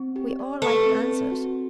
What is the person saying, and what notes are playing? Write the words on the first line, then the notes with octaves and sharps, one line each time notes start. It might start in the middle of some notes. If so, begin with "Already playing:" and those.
We all like answers.
Already playing: C4
G4
D5
A3 B4
C4
C4
F#4